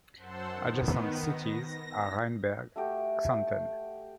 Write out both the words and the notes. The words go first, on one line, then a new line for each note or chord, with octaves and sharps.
Adjacent cities are Rheinberg, Xanten.
F#2 C5 F#5 A5 C6 E6
D#3 B3
A#6
A3 F#4 G4